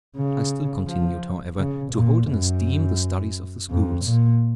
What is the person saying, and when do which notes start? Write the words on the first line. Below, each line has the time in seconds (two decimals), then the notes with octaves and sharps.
I still continued, however, to hold in esteem the studies of the schools.
0.17 C#3
0.87 F3
1.57 C#3
1.93 A#2
2.29 F#2
3.70 F2
4.05 A#2